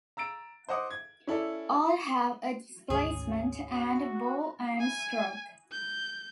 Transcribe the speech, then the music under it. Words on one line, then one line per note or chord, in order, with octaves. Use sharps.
All have a displacement and bore and stroke.
A#5 E6 A6 D7
C5 D#5 F#5 D6 D#6
G#6
C#4 E4 A4 D5
G#1 D2 C#4 G#4
F#4
G#5
G6